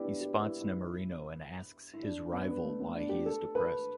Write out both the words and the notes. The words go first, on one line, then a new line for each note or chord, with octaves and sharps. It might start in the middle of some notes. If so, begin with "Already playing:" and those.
He spots Nemorino and asks his rival why he is depressed.
Already playing: B3 D4 E4 G4
G4
E4
E4
E4
D4
B3
B3
A3
B3
D4
G4
A4
B4